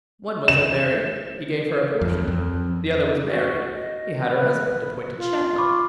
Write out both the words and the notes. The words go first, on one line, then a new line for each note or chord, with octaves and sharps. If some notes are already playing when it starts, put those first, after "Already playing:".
One was unmarried--he gave her a portion; the other was married--he had her husband appointed chaplain.
E7
F2
F2
F#4
D#5
B4
F4
B5 C#6 D6